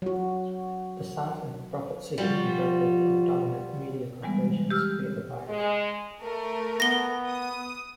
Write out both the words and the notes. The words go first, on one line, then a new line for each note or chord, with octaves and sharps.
The size and profit-seeking imperative of dominant media corporations create a bias.
F#3 F#4
F3 G3 F4 F#4
E3 G3 G#3 B3
G4 E6 F6
G#3
A3 A#4
B3 A#6 G7
D#6